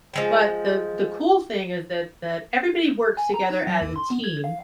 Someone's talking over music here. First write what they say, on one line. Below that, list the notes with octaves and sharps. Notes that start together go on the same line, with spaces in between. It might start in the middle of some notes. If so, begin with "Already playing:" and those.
but the the cool thing is that that everybody works together as a team,
F3 G#3 G5
G#5
A#5
D#4
F#3
D#2
C6
B3
G#6
F5